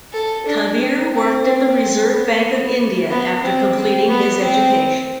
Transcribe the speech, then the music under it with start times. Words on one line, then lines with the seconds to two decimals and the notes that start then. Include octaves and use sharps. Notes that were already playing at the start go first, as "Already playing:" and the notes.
Kabir worked at the Reserve Bank of India after completing his education.
0.13 A4
0.46 D4
0.79 C4
1.12 C4
1.44 C4
2.10 B3
3.09 B3
3.42 C4
3.76 C4
4.08 B3
4.41 C4